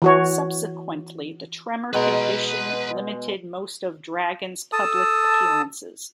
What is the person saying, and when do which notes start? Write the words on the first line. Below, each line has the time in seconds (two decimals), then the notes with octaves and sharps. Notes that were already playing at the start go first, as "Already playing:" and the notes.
Subsequently, the tremor condition limited most of Dragon's public appearances.
0.02 E3 F#4 C#5
1.93 B2 G#3 B4 D#5 A#5
4.73 A4 A5 D#6 E6